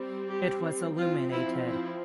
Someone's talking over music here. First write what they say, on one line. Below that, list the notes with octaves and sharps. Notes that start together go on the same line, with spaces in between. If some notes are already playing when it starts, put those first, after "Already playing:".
It was illuminated.
Already playing: G3 C4
G4
F3 C4 F4
E4
E4